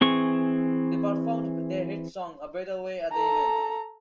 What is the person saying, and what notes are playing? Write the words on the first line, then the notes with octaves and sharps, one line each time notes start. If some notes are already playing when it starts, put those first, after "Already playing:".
They performed their hit song, "A Better Way" at the event.
E3 C4 G#4 C#6
A4 A#5